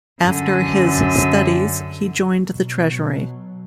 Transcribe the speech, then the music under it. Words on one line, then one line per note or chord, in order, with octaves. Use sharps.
After his studies, he joined the Treasury.
F#2 D3
B2 F#3